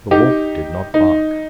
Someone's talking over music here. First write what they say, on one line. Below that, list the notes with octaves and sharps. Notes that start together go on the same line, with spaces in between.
The wolf did not bark.
D#4 G4
D#4